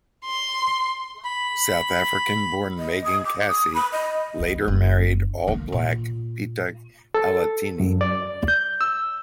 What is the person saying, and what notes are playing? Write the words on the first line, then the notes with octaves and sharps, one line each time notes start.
South African-born Megan Cassie later married All Black Pita Alatini.
C6
B5
D#5
D#6
D6
D#6
B5
D#5
E2
F#1
D3 A#3
A#2
A4
F#2
D5
G6
E6